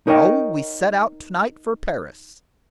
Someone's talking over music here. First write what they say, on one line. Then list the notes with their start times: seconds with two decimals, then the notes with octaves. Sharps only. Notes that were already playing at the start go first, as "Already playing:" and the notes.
"Raoul, we set out to-night for Paris."
0.07 D#4 A#4 C#5 D#5 G5